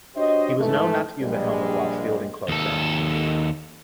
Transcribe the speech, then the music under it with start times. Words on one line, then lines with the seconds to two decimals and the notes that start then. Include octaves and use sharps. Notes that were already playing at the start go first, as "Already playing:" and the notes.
He was known not to use a helmet while fielding close in.
0.15 D4 F#4 G4 C5 C#5 D#5
0.59 G#2 E3 A3
1.21 A#1 G2 G3 G#3
2.48 D#2 A4